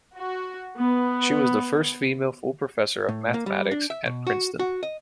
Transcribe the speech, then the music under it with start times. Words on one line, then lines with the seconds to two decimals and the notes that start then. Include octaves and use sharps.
She was the first female full professor of mathematics at Princeton.
0.17 F#4
0.78 B3
3.09 A2
3.34 A#3
3.46 G3
3.71 D4
3.90 E5
4.06 B2
4.27 F#4
4.60 F#4
4.83 D#5